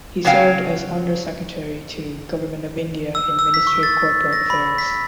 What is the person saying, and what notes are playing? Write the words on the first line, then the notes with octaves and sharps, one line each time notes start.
He served as Under Secretary to Government of India in Ministry of Corporate Affairs.
C#3 F#3 C#4 C#5 F5 G5
E6
E6
B6
C#6
A6
A#6
B5
B6